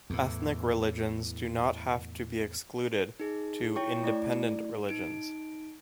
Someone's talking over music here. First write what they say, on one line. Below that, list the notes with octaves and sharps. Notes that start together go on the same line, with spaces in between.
Ethnic religions do not have to be excluded to independent religions.
E2 A2
D#4 G#4
E4 C#5 G5 C#6
A3 E4 D5
D#4 D7